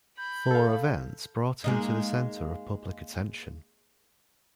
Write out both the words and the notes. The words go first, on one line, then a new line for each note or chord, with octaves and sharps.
Four events brought him to the centre of public attention.
B5 G6
A4 F5
G#3 A#3 D#4